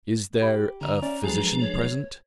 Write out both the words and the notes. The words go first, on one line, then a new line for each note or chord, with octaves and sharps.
"Is there a physician present?"
G4 B5
D3 A#5
C#4 D5 E5
F3 F#3 G#3 D4 G#4 A4 B4
C#5